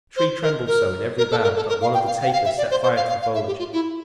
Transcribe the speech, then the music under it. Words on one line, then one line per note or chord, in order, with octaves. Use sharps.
The Tree trembled so in every bough that one of the tapers set fire to the foliage.
C5
A#4
A#4
A#4
A4
A#4
A4
A#4
F5
G5
F5
F5
G5
F5
E5
D5
C5
C5
F5
F5
F5
E5
G4
F4
E4